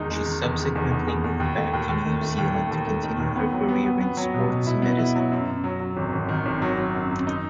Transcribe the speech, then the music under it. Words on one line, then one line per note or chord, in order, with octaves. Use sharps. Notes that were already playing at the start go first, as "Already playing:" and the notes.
She subsequently moved back to New Zealand to continue her career in sports medicine.
Already playing: E2 D#3 G#3 D#4
G#3
D#3
E2
D#3
E2
E2
E2
E2
D#2
A3
D#2
D#2
D#3
A3
D#2
A3
D#2
A3
D#3
D#2
B3
F#3
B3
B3
B3
F#3
B2
B2
E4
B3
E4
F#3
F#2
F#2
F#3
F#3
G#1
G#1
D#3
G#1
F#3
F#3
F#2
F#2
D#4